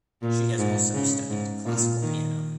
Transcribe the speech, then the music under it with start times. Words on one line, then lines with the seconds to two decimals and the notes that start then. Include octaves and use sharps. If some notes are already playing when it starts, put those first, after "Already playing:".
She has also studied classical piano.
0.22 A#2
0.59 G#2
0.94 C#3
1.29 G#2
1.66 A#2
2.02 D#3